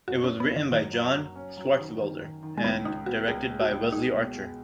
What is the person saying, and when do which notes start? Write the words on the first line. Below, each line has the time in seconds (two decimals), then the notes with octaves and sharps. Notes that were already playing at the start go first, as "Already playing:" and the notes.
It was written by John Swartzwelder and directed by Wesley Archer.
0.08 F#1 F#4
0.24 C#4
0.29 F#1
0.40 B3
0.51 F#1
0.56 D#3
0.72 D#3 F#3
0.93 F#3
1.15 F#3
1.36 C#4
1.57 F#3
1.78 D#3
2.00 D#3
2.21 D#3
2.43 D#3
2.57 G#3
2.64 C#2 B3
2.85 C#2 D#4
3.06 B3 F#4
3.28 C#2 G#4
3.50 G#3
3.60 F#4
3.71 C#2
3.92 G#3 D#4
4.13 B2
4.35 G#3